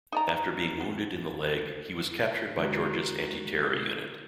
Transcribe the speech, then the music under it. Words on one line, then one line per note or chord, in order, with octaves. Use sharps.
After being wounded in the leg, he was captured by Georgia's anti-terror unit.
D#4 D5 A#5
B3
D3 G#3 F#4 A#4